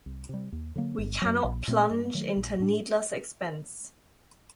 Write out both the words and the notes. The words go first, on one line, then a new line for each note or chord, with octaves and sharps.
We cannot plunge into needless expense.
C2
C3 G3
D#2
D3 F#3 A#3
G1
F#2 F#3
A#1
A#2 A3 C4
G2
D#3 F#3 A3
A#1
A2 G3 D4